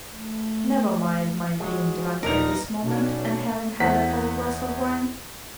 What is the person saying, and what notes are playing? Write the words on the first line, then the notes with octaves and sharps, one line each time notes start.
Never mind my being drunk at this moment and having had a whole glass of wine.
A3
F#3 G#3
D#1 F3 D4 D#4 A#4 B4 A#6 F7
B1 B2 C#4 D4
E2 C5 F#5 B6